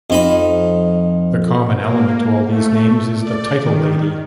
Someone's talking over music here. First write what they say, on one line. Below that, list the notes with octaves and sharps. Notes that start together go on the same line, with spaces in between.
The common element to all these names is the title Lady.
F2 D#4 B5
A#3
A3
D5
D#3